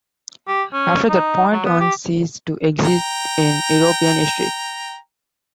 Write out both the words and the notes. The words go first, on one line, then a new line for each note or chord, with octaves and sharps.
After that point, Huns cease to exist in European history.
G4
C#4
D#4
F#3
B3
G4
G5 A#5